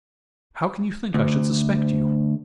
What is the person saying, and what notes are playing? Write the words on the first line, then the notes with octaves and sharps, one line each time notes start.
"How can you think I should suspect you?"
D2